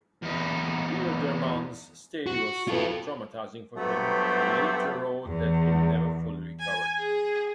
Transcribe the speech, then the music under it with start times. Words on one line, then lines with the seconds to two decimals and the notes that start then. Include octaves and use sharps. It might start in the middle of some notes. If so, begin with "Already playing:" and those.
Bierdermann's stay was so traumatizing for him later wrote that he never fully recovered.
0.23 E2 D#4
2.26 F#4
2.68 F4 A4
3.76 G2 F#3 A3 B3 G4 C5
5.25 E2
6.60 G#5
6.97 G#4